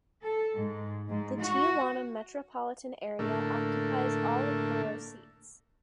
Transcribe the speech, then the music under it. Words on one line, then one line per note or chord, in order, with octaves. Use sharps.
The Tijuana metropolitan area occupies all of borough seats.
A4
G#2
G#2
F#4
A2 D3 A3 A#3